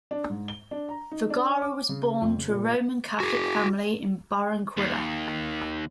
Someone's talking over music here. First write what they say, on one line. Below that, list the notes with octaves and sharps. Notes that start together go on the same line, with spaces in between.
Vergara was born to a Roman Catholic family in Barranquilla.
D4
G#2
G7
D4
A#5
D#4
D4
D6
C#3
F2
C#3
A#2
F#4 G#4
D#2